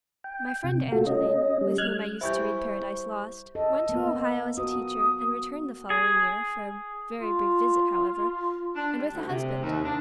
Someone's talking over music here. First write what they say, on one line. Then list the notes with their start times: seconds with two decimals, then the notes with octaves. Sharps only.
My friend Angeline, with whom I used to read "Paradise Lost," went to Ohio as a teacher, and returned the following year, for a very brief visit, however,--and with a husband.
0.24 G5
0.64 C3
0.92 A3 F4 F#4 A4
1.07 C#4 D#5
1.61 G3
1.78 F6 F#6 G#6
2.21 E3 G3 E4 C5 C#6 G6
3.55 A4 D#5
3.89 A#3 B3
4.58 F#4 D#6
5.90 G#4
7.21 F4
8.76 D4
8.96 G3
9.13 D2
9.28 C3
9.63 D#2
9.84 D4